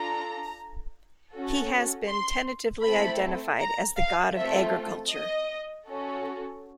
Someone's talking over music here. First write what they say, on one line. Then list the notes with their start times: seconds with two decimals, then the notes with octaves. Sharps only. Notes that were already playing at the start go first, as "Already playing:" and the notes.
He has been tentatively identified as the god of agriculture.
Already playing: D4 F4 A4 A#5
1.33 C#4 F#4 A4
2.08 C6
2.84 A3 C4 E4 A4 B5
3.60 A#5
3.97 F5
4.35 A3 C4 F4 A4 E5
5.11 D#5
5.87 C#4 F#4 A4